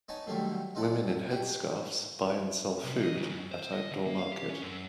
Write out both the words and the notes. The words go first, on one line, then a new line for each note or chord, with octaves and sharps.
Women in headscarves buy and sell food at outdoor market.
B3 D#4 C#5 G#5 A5
A#2 D3 D#3 F#3 G3 A3
D#4 F4 A4 F#5
B2 G4 B5
C3
D#5
D2
F#2
C5
D#5
D3
A#3
F5
G4
C#4
F#2